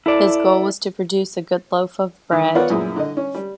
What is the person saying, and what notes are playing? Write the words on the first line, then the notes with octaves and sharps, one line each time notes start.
His goal was to produce a good loaf of bread.
E4 A4 D5
D#3
B3 F4 B4 C#5 D5 F#5
F#2 A#2 E4 G#4
D3 D#5
C#4
G3